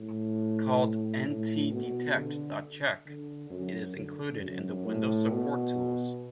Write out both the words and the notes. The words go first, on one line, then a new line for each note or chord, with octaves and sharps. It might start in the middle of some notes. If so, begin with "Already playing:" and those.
Called ntdetect.chk, it is included in the Windows Support Tools.
Already playing: A2
A2
B2
D3
D3
F#2
D3
F#2
A2
B2